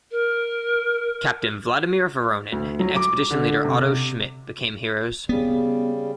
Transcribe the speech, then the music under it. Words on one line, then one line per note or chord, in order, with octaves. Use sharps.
Captain Vladimir Voronin and expedition leader Otto Schmidt became heroes.
A#4
D2
F#3
D6
D3
C3
C#3 G3 B3